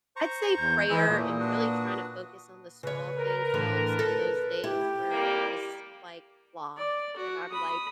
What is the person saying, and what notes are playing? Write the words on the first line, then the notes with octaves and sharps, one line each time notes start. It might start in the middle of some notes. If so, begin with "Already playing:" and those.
I'd say prayer and really trying to focus on the small things helps on those days where I'm just like, "Blah." And I'm like,
C5 A#5 C#6
E2 G6
E3 C5 D#5 G#5 E6
A#2 A3 A#3 D#6
D4 F#4 B4
C#3 B4 C#5
A#4
A2 D3 E3
A4
E4 G4
F2 G3 A#3
D5
F#4
B5 D#6